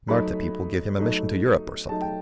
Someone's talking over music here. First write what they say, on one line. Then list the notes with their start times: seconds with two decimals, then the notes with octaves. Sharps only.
Marta people give him a mission to Europe, or something?
0.08 F#3 A3 D#4 B5
0.99 F#3 A3 D#4
1.89 F#3 A3 D#4 A5
2.01 G5